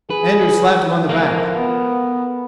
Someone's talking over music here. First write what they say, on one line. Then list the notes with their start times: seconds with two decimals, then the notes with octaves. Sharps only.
Andrews slapped him on the back.
0.10 G#4 B4
1.09 F3 A4 A#4 F5
1.55 B3